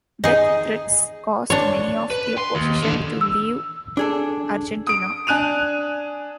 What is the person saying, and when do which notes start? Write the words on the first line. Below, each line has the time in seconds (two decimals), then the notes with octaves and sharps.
Death threats caused many of the opposition to leave Argentina.
0.24 D#4 G#4
1.50 D4 C#5
2.10 B4
2.38 C6
2.55 D#2
2.83 D3 E3
3.21 E6
3.97 D4 G#4 A4
4.87 D#6 D7
5.27 D4 G#5 F#6 D#7 F7